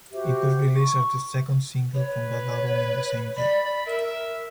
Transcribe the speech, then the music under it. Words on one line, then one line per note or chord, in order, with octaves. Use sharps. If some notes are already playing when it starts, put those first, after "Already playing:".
It was released as the second single from that album in the same year.
F#4 G4 C5 E5
C#6
B4 C#5
D5 B5
A#4 E5